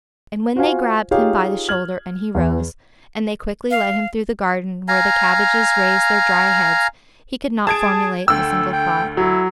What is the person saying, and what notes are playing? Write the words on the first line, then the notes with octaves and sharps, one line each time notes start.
And when they grabbed him by the shoulder and he rose, and they quickly led him through the garden where the cabbages raised their dry heads, he could not formulate a single thought.
F4 F#4 C5 F5 G#5
D#4 F4 G4 G#4 C#5 F5
F6 G#6 F#7
E2
F5
F5 G#5 A#5
G#4 A5 G#6 D7
D2 G5 E6
G5
F#3 E4